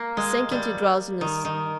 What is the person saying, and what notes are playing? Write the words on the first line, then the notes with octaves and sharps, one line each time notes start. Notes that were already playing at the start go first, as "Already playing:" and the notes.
He sank into drowsiness.
Already playing: A#3
G#3
G3
D#3
D#3